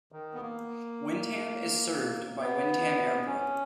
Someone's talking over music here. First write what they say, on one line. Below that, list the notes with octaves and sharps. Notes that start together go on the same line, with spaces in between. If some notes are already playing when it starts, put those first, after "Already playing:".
Wyndham is served by Wyndham Airport.
D#3
B3
A#3
B3
C#4